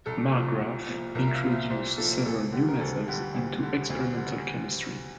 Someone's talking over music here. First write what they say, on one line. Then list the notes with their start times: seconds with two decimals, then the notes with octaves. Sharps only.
Marggraf introduced several new methods into experimental chemistry.
0.06 C2 A4
0.34 A#2 F3
0.61 C2
0.89 A#2 F3
1.15 C2 A#4
1.27 E5
1.34 F5
1.43 A#2 F3
1.52 E5
1.70 C2 C5
1.98 A#2 F3 A4
2.25 D2 A4
2.52 D3 G3 G4
2.68 A#4
2.80 D2 A4
3.08 D3 G3 G4
3.34 D2
3.63 D3 G3
3.90 D2
4.17 D3